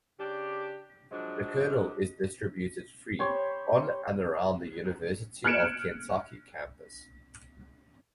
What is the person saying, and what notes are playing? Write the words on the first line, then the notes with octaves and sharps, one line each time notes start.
The "Kernel" is distributed free on and around the University of Kentucky campus.
C#3 D4 G4
F3 F#3 G#3 D4
G4 C5 C#5 B5
F6 F#6 G#6 C#7 D7 E7